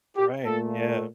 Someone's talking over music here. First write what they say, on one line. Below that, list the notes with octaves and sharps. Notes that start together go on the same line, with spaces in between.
Right. Yeah.
G4
A#2 A3 A4